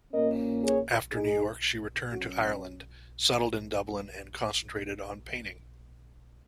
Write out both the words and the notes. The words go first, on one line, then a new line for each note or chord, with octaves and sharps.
After New York, she returned to Ireland, settled in Dublin and concentrated on painting.
A#2 A#3 C#4 A#4 D#5
G#4 C#5
D#4 G#4
F#3 C#4 F#4